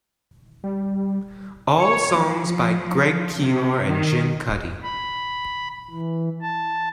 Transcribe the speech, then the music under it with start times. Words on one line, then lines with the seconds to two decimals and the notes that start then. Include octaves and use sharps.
All songs by Greg Keelor and Jim Cuddy.
0.64 G3
1.80 C#5
2.18 F3
3.40 C3
3.89 D#3
4.83 B5
5.91 E3
6.42 A5